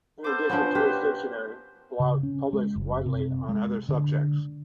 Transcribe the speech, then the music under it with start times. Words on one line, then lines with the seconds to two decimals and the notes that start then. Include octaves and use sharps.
In addition to his dictionary, Blount published widely on other subjects.
0.24 B3 A4 C5 D6
0.50 F3 B3 C#4 D4
0.75 G4 A#4 B4 C#5
2.00 C#3
2.23 C#4
2.53 G#3
2.76 F#1
3.06 C3
3.49 G#3
3.89 D3